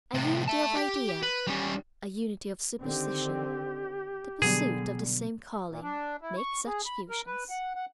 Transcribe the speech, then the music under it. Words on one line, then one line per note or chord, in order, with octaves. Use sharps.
A unity of idea, a unity of superstition, the pursuit of the same calling, make such fusions.
A2 C3
E5 A5
G4
B4
G3 C#4
D3 D#3 C4 G4
B2 D3 F#3 G3 B3 G#4
A#2
D4
E4
C#6
G#4
B5
A#4
B4
F#5
F#5